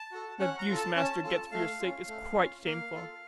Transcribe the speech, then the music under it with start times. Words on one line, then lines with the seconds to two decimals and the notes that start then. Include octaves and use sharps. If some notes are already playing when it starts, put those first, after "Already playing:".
The abuse master gets for your sake is quite shameful.
Already playing: A5
0.12 F#4 A4
0.39 C#4 F#5
0.58 A#5
0.68 F4 A4
0.77 A5
0.96 C#4 A5
1.24 F4 A4 A5
1.52 A3 F5
1.80 C#4 F4
2.08 A3
2.37 C#4 F4
2.64 A#3 F5
2.93 F4 A4